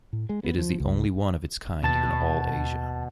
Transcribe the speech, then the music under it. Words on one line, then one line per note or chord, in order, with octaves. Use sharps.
It is the only one of its kind in all Asia.
A2
G#3
B3
F3
C#2
D#2 B2 A5 A6